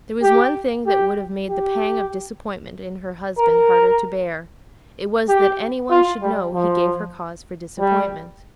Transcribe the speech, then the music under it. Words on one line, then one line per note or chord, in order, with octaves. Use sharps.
There was one thing that would have made the pang of disappointment in her husband harder to bear; it was, that any one should know he gave her cause for disappointment.
G4
G4
G4
A#4
G4
F4
G3
F3
G3